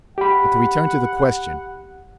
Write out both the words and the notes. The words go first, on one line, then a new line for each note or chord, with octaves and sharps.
But to return to the question.
G4 F#5 B5